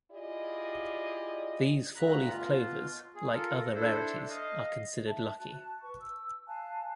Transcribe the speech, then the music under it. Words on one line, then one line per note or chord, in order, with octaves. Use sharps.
These four-leaf clovers, like other rarities, are considered lucky.
E4 F4 G4 G#4 D5 D#5
D2 G2 D3 A#5 B5 F#6
B2 F4
G#4
F4 A4 A#4
D4 E4 A4 C5
D#5 F5
E5 A5
F#4 A5 F#6
B4 C#6
E6
F5 G#5 A5 F#6